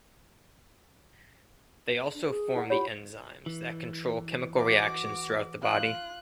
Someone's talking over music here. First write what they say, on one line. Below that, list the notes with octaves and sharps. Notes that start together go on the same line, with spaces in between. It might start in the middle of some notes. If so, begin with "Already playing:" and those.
They also form the enzymes that control chemical reactions throughout the body.
D4
G#4
E4 F#5
F4 G4 C#5 B5
E3
F#4 D6
F4 F#6